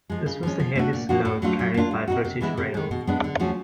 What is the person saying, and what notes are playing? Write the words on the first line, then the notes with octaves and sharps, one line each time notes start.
This was the heaviest load carried by British Rail.
F3 G#3
C#3
F3 G#3 C#4
F3
A3 D4 F#4
A#2
F3 A#3 D4 F#4
A2
F#3 A3 D4 F4
F#3
A#3 D4 F4
G3
C4 D#4 F#4
C3
E3 G#3 B3 E4
C3
D#3 G#3
B2
G#3 B3 D4
D3
F3 A3 C#4 F#4